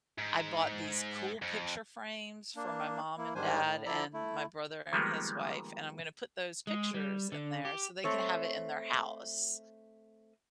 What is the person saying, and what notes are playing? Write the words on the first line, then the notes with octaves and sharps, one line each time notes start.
I bought these cool picture frames for my mom and dad, and my brother and his wife, and I'm gonna put those pictures in there so they can have it in their house.
G#2
F2
A#3 D4
A#3 E4
G#2 D#3 G3 D4 C5 G#5
A2
F3 E4 A4 D5 A#5
A3 E4
D#3 F3 G3 G#3 A#3 B3
G#3
G3
D3
G4
A3 C4 C#5